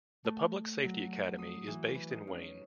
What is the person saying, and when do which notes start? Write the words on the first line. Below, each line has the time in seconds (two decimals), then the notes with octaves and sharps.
The Public Safety Academy is based in Wayne.
0.24 A3
0.84 F#3
1.38 D#6
1.68 E3
1.95 B4
2.10 D#4
2.27 C#4